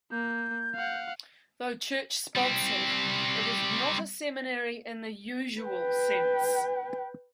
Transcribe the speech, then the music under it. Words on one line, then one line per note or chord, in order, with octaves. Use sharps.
Though church-sponsored, it was not a seminary in the usual sense.
A#3 G6
F5 F#5
G3 C4
B4 G5